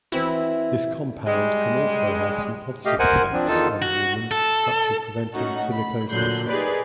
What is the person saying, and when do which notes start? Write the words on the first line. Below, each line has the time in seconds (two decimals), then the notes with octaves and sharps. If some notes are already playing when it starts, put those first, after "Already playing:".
This compound can also have some positive effects on humans such as preventing silicosis.
0.12 E3 C4 E4 F#4
1.26 G3 G#3
2.85 A3 G4 D#5 F5
2.99 A#4 C5 F#5 G#5
3.33 F3 C4 D4
3.48 E2 D#3 D#4 F4 A4 A5
3.82 F#4
4.31 A4
5.35 A3 C#4 D#4 F#4
5.73 B5
6.11 A#2 D3 F#3 F#6 G6 C7
6.47 D#4 G4 G#4 A#4 B4 D5